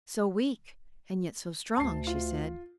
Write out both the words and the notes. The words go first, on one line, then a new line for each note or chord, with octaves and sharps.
"So weak and yet so strong," she said.
D2 A5 C7
F4